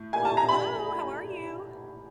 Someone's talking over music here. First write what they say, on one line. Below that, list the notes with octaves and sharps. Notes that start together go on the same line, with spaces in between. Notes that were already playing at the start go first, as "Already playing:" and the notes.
Well, hello. How are you?
Already playing: A2
G#5
A5
A#5
B5